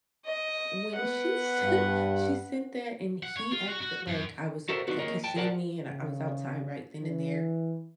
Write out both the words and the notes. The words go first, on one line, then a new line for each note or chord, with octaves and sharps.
when she sent she sent that and he acted like I was like he seen me and I was outside right then and there
D#5
B3 F#5
G2
F#5
C#5
F4
F#4
F#4
F#2
F#4 A4 A#4 C5 E5 F#5
B3 D4 D#4 F4 F#4 B4
A#3 G#4 A#4 C#5 D#5
G5 A5
G#4 A#4 D5 F#5 A5
C#3
E3